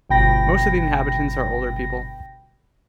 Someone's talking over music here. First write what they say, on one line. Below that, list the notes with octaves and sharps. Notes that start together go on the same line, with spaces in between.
Most of the inhabitants are older people.
G1 B2 G5 B5 A#6